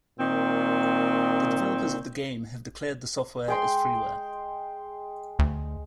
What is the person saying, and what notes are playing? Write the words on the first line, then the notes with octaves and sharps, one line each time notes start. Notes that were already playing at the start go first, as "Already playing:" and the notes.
The developers of the game have declared the software as freeware.
A#2 D#3 C4
G#3 G5 C6
D2